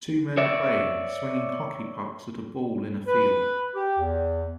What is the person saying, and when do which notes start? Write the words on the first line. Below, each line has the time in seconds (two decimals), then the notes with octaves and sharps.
Two men playing swinging hockey pucks at a ball in a field.
0.37 C#5 D5 E5
3.07 B4
3.75 G4
3.98 E2